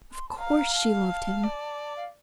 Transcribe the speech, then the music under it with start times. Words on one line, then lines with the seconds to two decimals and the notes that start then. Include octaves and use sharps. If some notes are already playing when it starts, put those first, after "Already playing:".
Of course she loved him!
0.13 C6
0.29 A5
0.39 F5 A#5
0.57 A#5
0.75 A5
1.44 D5
1.96 F5